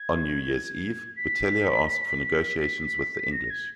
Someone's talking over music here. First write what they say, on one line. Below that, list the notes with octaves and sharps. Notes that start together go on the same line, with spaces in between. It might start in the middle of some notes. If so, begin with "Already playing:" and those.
On New Year's Eve, Boutellier asked for negotiations with the English.
Already playing: G#6
B6
B6
A#6
G#6